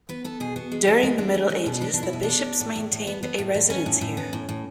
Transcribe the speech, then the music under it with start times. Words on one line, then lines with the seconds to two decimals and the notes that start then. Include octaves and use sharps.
During the Middle Ages the bishops maintained a residence here.
0.09 B3 B4
0.24 B3 A4
0.40 B2 G#4
0.56 B3 F#4
0.72 G#3
0.87 B3 E4
1.03 G#3
1.18 G#3 D4
1.34 G#3
1.50 G#3 C#4
1.66 B2
1.81 B3 D4
1.94 D4
1.98 B2
2.03 E4
2.13 B2
2.23 D4
2.29 B3
2.44 B3
2.60 A2
2.76 A2
2.92 A2
3.07 B3
3.23 B3
3.38 A2
3.54 A2
3.70 B3 C#4
3.86 A2
4.01 A2
4.17 B3
4.33 A2
4.49 A2